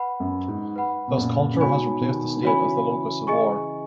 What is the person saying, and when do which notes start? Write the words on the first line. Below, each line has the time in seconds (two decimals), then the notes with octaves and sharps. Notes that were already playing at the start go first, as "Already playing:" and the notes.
Thus, culture has replaced the state as the locus of war.
Already playing: B4 F#5 B5
0.20 F#2
0.48 G#2
0.76 B4 F#5 B5
1.08 B2
1.18 F#2 A#2
1.54 C#3
1.60 G#2 B2 F#4 C#5 G#5 B5
2.01 B2 D#3
2.37 D#3
2.43 C#3 E3 F#4 C#5 G#5 B5
3.27 G#4 D#5 G#5 C#6